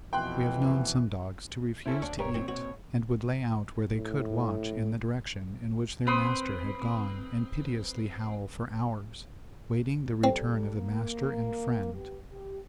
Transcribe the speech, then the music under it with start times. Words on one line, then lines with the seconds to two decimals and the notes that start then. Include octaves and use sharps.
We have known some dogs to refuse to eat, and would lay out where they could watch in the direction in which their master had gone and piteously howl for hours, waiting the return of the master and friend.
0.13 F2 B2 E3 G5 C6 F#6
1.86 C4 C#4 E4 A4 C5
2.02 D2 D4 C#5
2.19 D#1 G2 G4 A#4 C#5
2.34 A#2 D#3 F#3 C4
2.48 B2 F#4 C#5
3.95 A2
6.07 C4 B4 C6 D#6
10.24 G3 C4 A4
10.75 A#3
11.94 B3 G4
12.31 G4